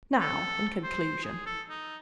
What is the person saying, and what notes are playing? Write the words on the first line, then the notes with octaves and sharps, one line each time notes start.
Now in conclusion.
A4
C5
G#4
A4
D#4